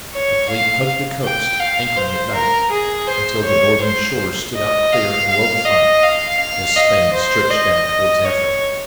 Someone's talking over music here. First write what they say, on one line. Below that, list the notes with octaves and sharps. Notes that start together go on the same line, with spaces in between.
The fleet hugged the coast, anchoring at night, until the northern shores stood out clear and well defined as Spain stretched down towards Africa.
C#5
F5
G5
F5
C5
A#4
G#4
C5
C#5
C5
D#5
F5
F5
D#5
F5
F5
D#5
C5
D#5
D#5
C#5